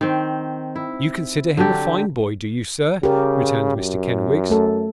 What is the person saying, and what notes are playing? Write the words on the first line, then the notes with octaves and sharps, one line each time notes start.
'You consider him a fine boy, do you, sir?' returned Mr Kenwigs.
D#3 C4
E4
D3 F#3 D4 G4
C#3 G4 A#4
F#2
A3 A4